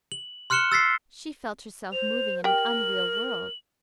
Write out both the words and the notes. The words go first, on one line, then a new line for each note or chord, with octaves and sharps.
She felt herself moving in an unreal world.
F#7
C6 F6 F#6 C#7 E7 G7
E6 A6 B6 C7
C5 F7
G4 A#4 G5 F#7